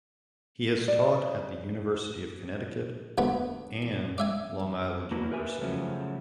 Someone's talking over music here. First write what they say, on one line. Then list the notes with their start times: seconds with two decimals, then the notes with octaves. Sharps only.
He has taught at the University of Connecticut and Long Island University.
0.88 D5
3.18 D2 A3 B3 B5
4.18 D5 E5 G#5
5.11 A#3 D4 E4 F#4 B4
5.31 A#4 B4 E5 G#5
5.61 C#3 F3 F#3 A3